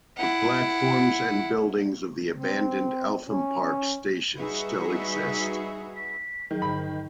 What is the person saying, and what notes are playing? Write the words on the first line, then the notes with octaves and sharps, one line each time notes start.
The platforms and buildings of the abandoned Eltham Park station still exist.
E4 F#5
C4
C#4
G3 D#4 F#4 G#4 B4 E5
D#3 F3 F#3 G#4
G2 D3 B5